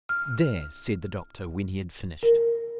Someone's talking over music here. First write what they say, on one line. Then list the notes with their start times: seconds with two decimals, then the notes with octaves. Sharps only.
"There!" said the doctor when he had finished.
0.09 F6
2.23 A#4